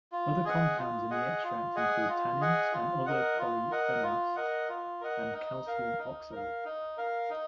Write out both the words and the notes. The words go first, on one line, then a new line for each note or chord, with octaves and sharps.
Other compounds in the extract include tannins and other polyphenols, and calcium oxalate.
F4
G#4 D#5 F#5
F4
G#4 D#5 F#5
F4
G#4 D#5 F#5
F4
G#4 D#5 F#5
F4
A#4 D#5 F#5
F4
A#4 D#5 F#5
F4
A#4 D#5 F#5
F4
A#4 D#5 F#5
D#4
A#4 F5
D#4
A#4 F5
D#4
A#4 F5
D#4